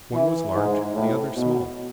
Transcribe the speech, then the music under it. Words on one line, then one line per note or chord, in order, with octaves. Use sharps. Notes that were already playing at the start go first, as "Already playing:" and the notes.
One was large, the other small.
E3
G#2
A2
B2